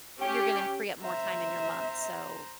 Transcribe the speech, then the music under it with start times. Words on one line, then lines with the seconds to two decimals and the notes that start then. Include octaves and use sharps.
you're gonna free up more time in your month, so,
0.21 C#4 G4 G5
1.03 C5 E5 A#5